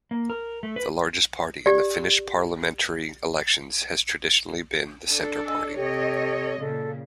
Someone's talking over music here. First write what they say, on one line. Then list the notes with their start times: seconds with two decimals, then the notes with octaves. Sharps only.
The largest party in the Finnish parliamentary elections has traditionally been the Centre Party.
0.11 A#3
0.30 A#4
0.63 A3
0.76 B4
1.66 G4 D5
5.08 D4 A4
5.46 D#5 G#5 E6
5.75 C3 G4 A4 C#5 D#5
6.59 A#2 C#3 A4